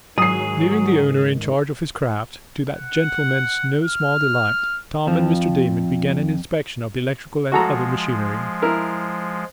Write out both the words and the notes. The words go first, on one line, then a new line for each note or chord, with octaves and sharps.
Leaving the owner in charge of his craft, to that gentleman's no small delight, Tom and Mr. Damon began an inspection of the electrical and other machinery.
G#2 D#3 F#3 G#3 G#4 D#6 C7
F#5
F6
F2 F3
F3 G#3 F#4 A4 A#5
E4 A#4